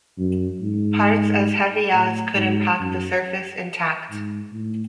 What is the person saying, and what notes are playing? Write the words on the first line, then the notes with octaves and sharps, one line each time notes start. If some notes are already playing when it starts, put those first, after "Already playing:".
Parts as heavy as could impact the surface intact.
F#2
G#2
A2
G#2
F#2
G#2
A2